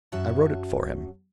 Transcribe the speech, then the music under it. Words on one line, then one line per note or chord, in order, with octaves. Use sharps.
I wrote it for him.
F#2 C#4 F#4 E5 A5